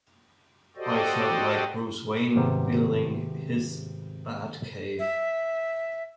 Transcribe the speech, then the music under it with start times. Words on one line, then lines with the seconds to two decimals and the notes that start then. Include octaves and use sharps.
I felt like Bruce Wayne building his Batcave!
0.76 F#4 G4 A4 C5 D5 D#5
2.35 G#1 C3 G3 B3 A#5
4.99 E5